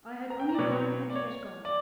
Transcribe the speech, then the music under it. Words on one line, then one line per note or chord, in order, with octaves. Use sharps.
I had only one, and he has gone.
A#5
G5
A#5
D5
B2 F#3 B3 C#5
D5
C#5
D5